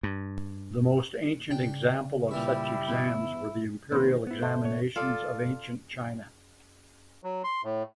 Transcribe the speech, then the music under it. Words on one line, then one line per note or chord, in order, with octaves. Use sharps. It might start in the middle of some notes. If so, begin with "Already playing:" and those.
The most ancient example of such exams were the imperial examinations of ancient China.
G2
C#3 D4 G5
A#2 E3 G3 E4 E5
E2
B2 D#3 A#3 B4 C5
B3 E4
A3 C5
B3 C#5
F4 A4 D5
F#3
C6
A2